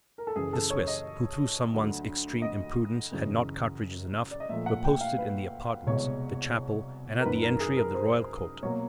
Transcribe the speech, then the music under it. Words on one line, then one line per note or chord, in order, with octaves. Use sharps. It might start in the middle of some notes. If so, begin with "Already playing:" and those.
The Swiss, who through some one's extreme imprudence had not cartridges enough, were posted in the apartments, the chapel, and at the entry of the Royal Court.
A#4
A4
F#2 C#3 E3 G#4
A4
C#5
D#5
D2 D3 F#3
D#5
F#2 C#3 E3
D5
D#5
A#2 F3 A3 E5
F#5
G5
F5
B4
C2 B2 G#3 C#5
A#4
F#2 D#3 F#3 B4
A#4
G#4
A#4
C5
B2 F#3 A#3 C#5